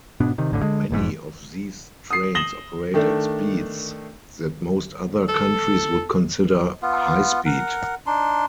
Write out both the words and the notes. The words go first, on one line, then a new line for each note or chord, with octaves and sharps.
Many of these trains operate at speeds that most other countries would consider "high-speed".
G#2 B2 B3 D4
C3 D#3
G#1 D#2 A2 D3
D3 G#3
F1 E2 G#2
D#6 C7
D#6 A#6 E7 F#7 G7
D#3 A3 D4
A4
B3 F4
A#4 F#5
D4 D#4 C6